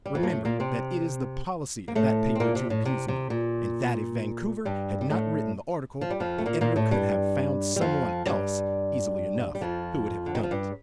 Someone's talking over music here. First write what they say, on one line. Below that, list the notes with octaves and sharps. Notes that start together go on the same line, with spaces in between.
"Remember that it is the policy of that paper to abuse me, and that if Vancouver had not written the article, the editor could have found some one else easily enough who would have done it."
G3
F2 F3
A#3
A2 A3
A#2 A#3
C3 C4
A#3
A2 A3
C4
A#2 A#3
C3
A2
C3
C3
A#2
G2 G3
G3
A2 A3
F3
G3
F2 F3
A3
A#2 A#3
A#2 A#3
A2 A3
G2 G3
G3
F2 F3
G2 G3
G3
F2 F3
D3
D#3
F3
G2 G3